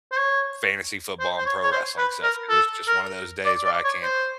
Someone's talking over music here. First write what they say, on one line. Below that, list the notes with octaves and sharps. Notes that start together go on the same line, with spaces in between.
fantasy football and pro wrestling stuff 'cause it's just one of those days where I can't
C5
C#5
C5
C5
C#5
C#5
C5
B4
A#4
A4
A#4
D5
D5
C#5
C5